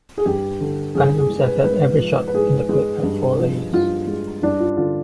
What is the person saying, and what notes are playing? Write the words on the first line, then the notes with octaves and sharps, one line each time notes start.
Cunningham said that every shot in the clip had four layers.
G#4
G2 G4
D3
G2 G#4
G#4
G#3
B4
G#2 B4
F3
B4
G#2 G#4
G#3
G2
F3
G2 F4
G#3
G2 D4
F4
D3 F4